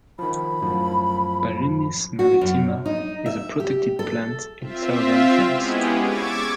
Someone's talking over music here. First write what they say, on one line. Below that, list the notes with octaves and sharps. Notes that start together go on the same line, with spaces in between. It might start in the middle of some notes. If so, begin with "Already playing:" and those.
"Pallenis maritima" is a protected plant in southern France.
D#3 F3 B5
F#2 A2 F3
F#4
F#2
D#4
E5
G4
A4
C4 F4 E5
G#3 B3 C#4 E4 G4 G#4
C#6 D6 E6 G#6 A6